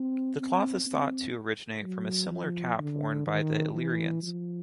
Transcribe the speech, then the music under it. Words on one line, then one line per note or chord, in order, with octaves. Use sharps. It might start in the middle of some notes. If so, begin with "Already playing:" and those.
The cloth is thought to originate from a similar cap worn by the Illyrians.
Already playing: C4
C4
C4
F#3
F3
D3
D#3
E3
F3